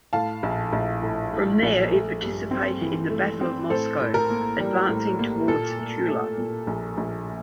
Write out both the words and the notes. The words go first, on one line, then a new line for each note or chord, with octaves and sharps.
From there it participated in the Battle of Moscow, advancing towards Tula.
A2 F5 A5
A#1
A#1
A2
A2
A#1
A3
G2
C4
E3
A3
C4
A2 A4 C5
A2
A#4
A#3
G3
A2
A#3
A#2 A4
A3
A3
A#2
A#1
A#1